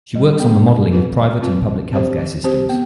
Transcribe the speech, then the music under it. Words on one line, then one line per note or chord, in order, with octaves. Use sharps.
She works on the modelling of private and public healthcare systems.
G3
B3 D4 G#4
G#3
C4 F4 B4
G#3
C4 F4 B4
F3
C4 G4 C5
F3
C4 G4 C5
B3